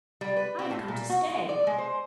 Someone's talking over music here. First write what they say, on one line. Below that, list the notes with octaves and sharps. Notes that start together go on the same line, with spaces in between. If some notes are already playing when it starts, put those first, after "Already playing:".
"I have come to stay."
G3
B4
C4
A2
A#2
F#4
G#3
D5
G#3
C5